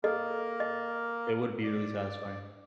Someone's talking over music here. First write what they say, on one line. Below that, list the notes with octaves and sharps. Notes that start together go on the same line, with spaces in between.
it would be really satisfying.
A#3 A4 A#4 D#5
D#5
D5